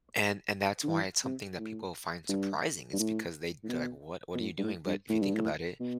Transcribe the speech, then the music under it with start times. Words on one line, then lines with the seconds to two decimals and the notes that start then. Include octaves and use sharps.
And and that's why it's something that people find surprising, it's because they they're like, "What what are you doing?" But, if you think about it,
0.84 D3
0.88 E3
1.24 C3
1.59 A2
2.29 G2
2.93 G2
2.99 A2
3.63 A2
3.69 B2
4.35 B2
4.40 A2
4.58 G2
4.63 A2
4.86 G2
5.09 A2
5.22 G2
5.34 A2
5.80 B2